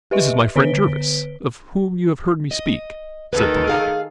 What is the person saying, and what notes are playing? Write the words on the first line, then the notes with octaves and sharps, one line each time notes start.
"This is my friend Jervis, of whom you have heard me speak," said Thorndyke.
G4 B4 D#5 E5
D3 B4 B6 D7 G7
D#5
D2 D#3 A4 B4
G#4 F5 G#5